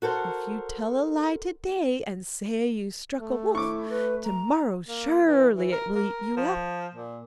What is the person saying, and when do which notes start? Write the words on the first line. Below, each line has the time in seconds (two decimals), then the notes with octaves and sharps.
If you tell a lie to-day and say you struck a wolf, to-morrow surely it will eat you up.'
0.02 F#4 A4 A#4 C5
3.21 A3
3.55 E4 C#6 D6
3.89 B4
4.24 A#5
4.88 A#3
5.24 E3
5.55 E3
5.72 A#4
5.95 A#4
6.37 F3
6.94 A#2